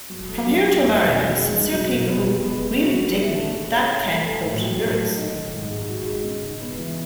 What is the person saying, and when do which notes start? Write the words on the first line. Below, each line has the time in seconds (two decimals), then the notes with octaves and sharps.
From here to America, sincere people who really dig me, that can quote lyrics.
0.10 F#3
0.28 A3
0.47 F#3
0.65 C#4
0.82 E2
1.01 B2
1.18 E2
1.37 G#3
1.54 D#4
1.72 F#3
1.91 B2
2.09 B3
2.27 G#3
2.45 B3
2.63 G#3
2.81 F#4
2.99 B4
3.17 E4
3.35 A3
3.53 G#4
3.72 C#5
3.90 E4
4.08 A3
4.26 A4
4.44 A2
4.61 F#3
4.80 A2
4.98 A3
5.16 D#4
5.35 D#3
5.52 G#2
5.70 G#3
5.89 F#4
6.06 G#3
6.25 C#3
6.42 D#4
6.60 B3
6.78 E3